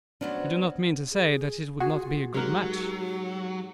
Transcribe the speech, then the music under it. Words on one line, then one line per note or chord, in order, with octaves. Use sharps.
"You do not mean to say that it would not be a good match?"
F3 F#3 B3 C#4 D4
G#4
F4 F#4 G#4
G#2 F#3 G4 A#4